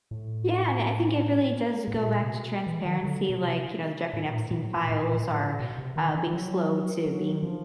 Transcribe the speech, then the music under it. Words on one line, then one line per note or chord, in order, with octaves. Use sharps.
Yeah, and I think it really does go back to transparency, like, you know, the Jeffrey Epstein files are, uh, being slow to being
A2
A2
A#2
C3
B2
E3
D#3
D3
B2
C3
A2
A#2
A2
A#2
A2
A#2
A2
A#2
A2
B2
C3
D#3
E3
F#3
F#3
F3